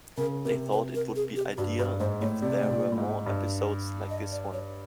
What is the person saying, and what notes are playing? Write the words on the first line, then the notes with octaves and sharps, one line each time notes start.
They thought it would be ideal if there were more episodes like this one.
C#3 A#4
C3 A#4
B4
A#4
G#4
G4
G2 F#4
G2 B4
G#2 C5
A2 C#5
C3 D5
A2
A#2
A2
G#2
G2
D#5
D5
C#5